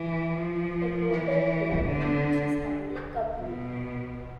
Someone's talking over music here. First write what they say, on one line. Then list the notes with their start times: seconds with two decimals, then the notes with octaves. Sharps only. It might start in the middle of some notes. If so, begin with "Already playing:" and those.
A bolded year denotes a Stanley Cup win.
Already playing: E3
0.33 F3
1.10 E3
1.86 D3
3.38 B2